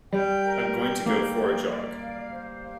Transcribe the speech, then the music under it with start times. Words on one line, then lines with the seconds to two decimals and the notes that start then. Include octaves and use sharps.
I'm going to go for a jog.
0.12 G3 G5
0.44 A#4
0.75 G5
1.06 A#3 G5
1.38 D5
1.69 D5
1.99 F5
2.31 C5
2.62 F5